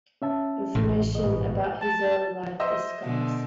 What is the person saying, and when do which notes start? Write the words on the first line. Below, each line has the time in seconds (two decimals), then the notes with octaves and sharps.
Information about his early life is scarce.
0.22 C#4 E5 A5
0.75 A1 A2 C3
1.15 G#2 B2 D#5
1.82 A5
2.60 C5 D#5 E5
3.04 B2 D3